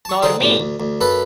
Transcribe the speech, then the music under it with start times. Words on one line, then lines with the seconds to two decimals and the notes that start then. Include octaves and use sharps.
Nor me.
0.05 A5 C#6
0.22 D3 C4 D#4 G#4 C5
0.40 B1 A2 G3
0.60 D2
0.80 D2
1.01 F#2 A4 B4 B5